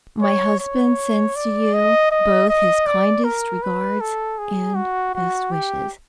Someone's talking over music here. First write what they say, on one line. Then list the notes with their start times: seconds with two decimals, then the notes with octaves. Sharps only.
My husband sends to you both his kindest regards and best wishes.
0.22 C#5
0.60 C#5
1.36 D5
1.74 D#5
2.11 D#5
2.49 D#5
2.87 D5
3.24 A#4
3.63 B4
4.01 A4
4.38 G#4
4.76 F#4
5.14 F#4
5.52 G4